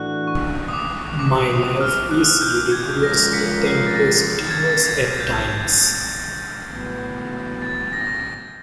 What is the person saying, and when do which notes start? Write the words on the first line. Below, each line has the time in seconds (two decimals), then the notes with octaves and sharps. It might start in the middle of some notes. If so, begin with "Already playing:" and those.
My life is ridiculously tempestuous at times.
Already playing: A2 E3 A3 D4 F#4 F#6
0.27 C#6
0.68 D#6
0.73 D6
1.19 D6
1.49 D#6
1.80 F6
2.11 F#6
2.41 G6
2.72 G#6
2.81 G6
2.91 G#6
3.02 F3 G#3 C#4 F4 A#4 A#6
3.33 B6 C#7
3.65 C7
3.87 A6
3.95 A#6
4.41 A6
4.50 G#6
4.60 A6
4.86 G#6
5.20 G6
5.32 G#6
6.70 A2 F#3 B3
7.62 A6
7.93 A#6